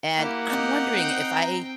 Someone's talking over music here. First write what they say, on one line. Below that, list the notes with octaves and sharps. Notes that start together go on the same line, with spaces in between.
and I'm wondering if I
A#3 E4 G4 F#5
D#4 G4
C4 G5
A#5